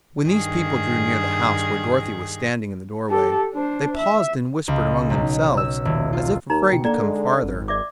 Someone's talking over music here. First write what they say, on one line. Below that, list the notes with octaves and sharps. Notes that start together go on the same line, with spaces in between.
When these people drew near the house where Dorothy was standing in the doorway, they paused and whispered among themselves, as if afraid to come farther.
G2 D#3 G#4
G4 A4
D4 C5
E5
C#2
B1
E6
D#1
F4
D#2 D#4 A#5
B2 G5
D3 A#3 D5 A#5
G#3
G#1
D5 E5 D6